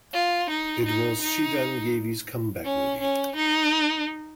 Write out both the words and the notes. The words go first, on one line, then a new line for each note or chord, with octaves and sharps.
It was Chiranjeevi's comeback movie.
F4
D#4
D#4
D#4
C#4
C#4
D#4